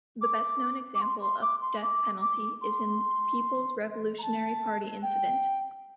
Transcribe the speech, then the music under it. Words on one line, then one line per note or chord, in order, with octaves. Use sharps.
The best-known example of death penalty is in People's Revolutionary Party Incident.
D6
D6
C6
C6
D6
C6
D6
D6
C6
A#5
A5
G5